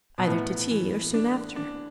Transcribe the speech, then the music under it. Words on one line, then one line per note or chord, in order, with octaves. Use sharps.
'Either to tea or soon after.
B2
A2 B3
E3
D4
D4